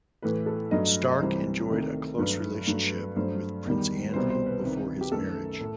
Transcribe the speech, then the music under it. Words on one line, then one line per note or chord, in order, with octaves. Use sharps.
Stark enjoyed a close relationship with Prince Andrew before his marriage.
A2 E3 A3 B4
A4
G2 F#3 A3 D#5
D#5
C2 C3 E3 G3 C5
C2 C3 D#3 A3
G2 F#3 A3 B4
G2 F#3 A3
G2 F#3 A3 C5
E2 D#3 G3
B4
C2 B2 G3 C5
C5
B4
C2 C3 D#3
G4
F#2 D#3 A3 A4
A2